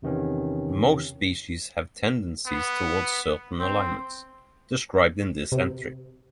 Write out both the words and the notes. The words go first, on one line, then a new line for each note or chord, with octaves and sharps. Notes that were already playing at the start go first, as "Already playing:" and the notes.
Most species have tendencies toward certain alignments, described in this entry.
E2 C3 D#3 B3 C#4
B3
C4
C3